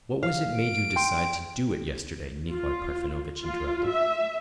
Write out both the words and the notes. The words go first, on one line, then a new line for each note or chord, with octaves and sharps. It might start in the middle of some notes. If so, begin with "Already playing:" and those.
"What was it made you decide to do it yesterday?" Nikolay Parfenovitch interrupted.
F5
D7
G5 C6
F4
F4
E5